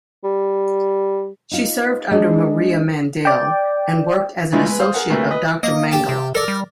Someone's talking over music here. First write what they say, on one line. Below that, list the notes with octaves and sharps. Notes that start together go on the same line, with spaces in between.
She served under Maria Mandel and worked as an associate of Doctor Mengele.
G3
D#4 F4
G#3 D4 D#5
D5 G5
C#3 E3 F3 G#3 A3
G#3 B4
C5 F5 D#6
G#4 A#4 F#5
D2 C3 A3 A#3 B4
B4 D#5
A#3 D#5
G4 A5
C3
A4 A#4 D5
G3